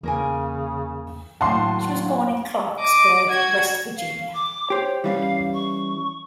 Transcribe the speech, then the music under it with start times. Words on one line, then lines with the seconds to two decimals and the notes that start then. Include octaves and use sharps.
She was born in Clarksburg, West Virginia.
0.03 E2 C#3 A#3 A#4 G#5
1.41 D#2 A2 C#3 F#3 F5 F#5 A5 C6
2.79 D#5 D6
3.28 F#4 G#6
3.97 F5
4.34 D6
4.70 G4 C5 C#5
5.04 E3 G3 C#4 F5
5.54 C#6